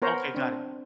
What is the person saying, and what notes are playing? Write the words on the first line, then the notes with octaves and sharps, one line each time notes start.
Okay, got it.
B3 A#4 C5 C#5 A#5
C4 D4